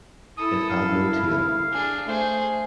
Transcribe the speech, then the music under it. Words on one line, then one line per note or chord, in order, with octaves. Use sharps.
It had no tail.
E4 A4 D#6
F5
D4 G#4
A3 G#4 C5